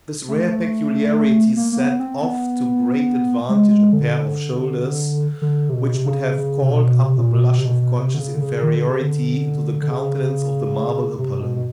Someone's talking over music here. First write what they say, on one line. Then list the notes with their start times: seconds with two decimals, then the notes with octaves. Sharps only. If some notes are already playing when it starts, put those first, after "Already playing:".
This rare peculiarity set off to great advantage a pair of shoulders which would have called up a blush of conscious inferiority into the countenance of the marble Apollo.
0.28 A3
1.57 A#3
1.72 A#3
1.78 B3
2.00 C4
2.21 B3
3.49 G#3
3.70 G#3
3.92 D3
5.42 D3
5.69 C3
5.73 B2
5.95 C3
6.06 C#3
6.38 C#3
6.62 C3
6.70 B2
6.86 B2
7.02 C3
7.18 A#2
7.34 B2
7.50 B2
7.58 C3
7.65 B2
7.82 B2
7.98 C3
8.14 D3
8.19 C#3
8.34 D3
8.41 C#3
8.62 D#3
8.75 D3
8.88 C#3
9.00 D3
9.82 D3
9.90 C#3
11.19 C3
11.40 B2
11.56 B2